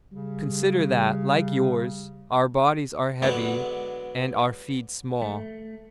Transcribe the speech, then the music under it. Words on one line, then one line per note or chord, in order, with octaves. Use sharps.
Consider that, like yours, our bodies are heavy and our feet small.
C#3 G3
D3 F#3 G#3 B3 D4
A3